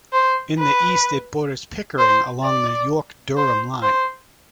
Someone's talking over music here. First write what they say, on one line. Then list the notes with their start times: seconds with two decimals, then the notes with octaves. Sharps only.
In the East it borders Pickering along the York-Durham Line.
0.13 C5
0.59 B4
1.98 C5
2.44 D5
3.37 C5
3.82 C5